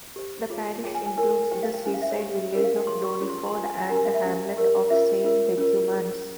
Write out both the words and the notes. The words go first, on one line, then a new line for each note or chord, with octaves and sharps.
The parish includes the seaside village of Doniford and the hamlet of Saint Decumans.
G4 C5
F4 G#4 C#5
F4 G#4 C#5 G5
G#5
G#5
E4 A#4 C#5 G#5
E4 G4 C5 G5
F5
G5
C#4 E4 G4 C5 G#5
F5
E5
C#5
G4 C5
C#4 E4 A#4 C#5
F5
G5
E4 G#4 C#5 C6
C#6
C#4 F4 G#4 C#5
C6
C6
F4 C5 G#5
G#5
G#5
C#4 G4 A#4 C#5 A#5
G#5
F5
E5
C#4 G4 C5
G4 A#4 C#5
C#4 F4 A#4 C#5 E5
C#4 F4 A#4 C#5
C#4 F4 A#4 C#5
E4 G#4 C5